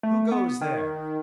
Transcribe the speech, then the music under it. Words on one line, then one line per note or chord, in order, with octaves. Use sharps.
"Who goes there?"
A3
B3
D#3